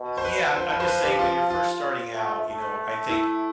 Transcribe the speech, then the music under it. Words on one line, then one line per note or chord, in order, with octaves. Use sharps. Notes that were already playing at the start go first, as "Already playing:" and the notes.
Yeah, I'm I'm just saying when you're first starting out, you know, I think
Already playing: B2
C5
B4
F3 C5
B4
C5
B4
G4
F4
F4
A3
A3
E4